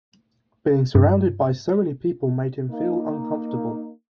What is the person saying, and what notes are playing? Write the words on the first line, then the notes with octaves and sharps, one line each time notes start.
Being surounded by so many people made him feel uncomfortable.
G2
A#3 D#4